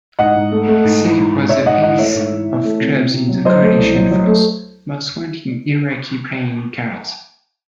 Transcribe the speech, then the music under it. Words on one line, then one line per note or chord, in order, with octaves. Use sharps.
Qusay was the ace of clubs in the coalition forces' most-wanted Iraqi playing cards.
G#2 D#5 F#5
G#2
A3
A3
G#2
E3
G#2
G#2
G#2 C#5 E5
G#2 D#5 F#5
E3 D#5 F#5
A3 C#5 E5
G#2
E3
E3
A3
C3
C3
C3
F#3
F#3 C5 D#5
A3
C2
F#3
F#3
A3